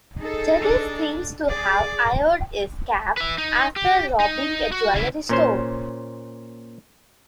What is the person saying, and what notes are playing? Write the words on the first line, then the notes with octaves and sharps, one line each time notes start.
Jadis seems to have "hired" his cab after robbing a jewellery store.
D#4 G#4 A4
D4
G#4 D5
B4 E5
D#4
G4
D#4
F#4
C#3 E4
A#2 C#4 C5